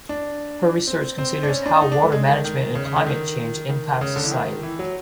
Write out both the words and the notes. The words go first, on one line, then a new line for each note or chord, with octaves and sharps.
Her research considers how water management and climate change impact society.
D4
C4
C4
D4
C#4
D4
D#4
D4
A3
G#3
D#3
D#3
C#3
C#3
D3
D#3
D#3
C#3
D3
E3
D#3
E3
F#3